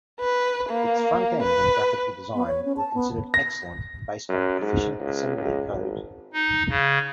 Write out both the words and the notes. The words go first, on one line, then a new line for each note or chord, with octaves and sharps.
Its front-end and graphical design were considered excellent and based on efficient assembly code.
B4
A#3
B4
B3
C#5
C#4
A5
B3
A#6
F#2
G#2
C#2
C#2
G#1
D#4
C#3